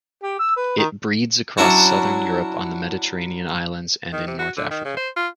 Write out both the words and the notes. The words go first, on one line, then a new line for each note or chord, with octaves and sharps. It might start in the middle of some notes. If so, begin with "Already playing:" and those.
It breeds across southern Europe, on the Mediterranean islands and in north Africa.
G4
E6
B4
D#3
F#3 C#4 D4 E4 F#4
D#3
C3
F#4
D3
D#3
C#3
C5
F4